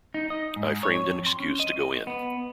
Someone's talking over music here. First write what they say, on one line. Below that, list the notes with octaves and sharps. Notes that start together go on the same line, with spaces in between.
I framed an excuse to go in.
D#4
D#5
G#2
C#5
F2
C6
C#4
D#5
B3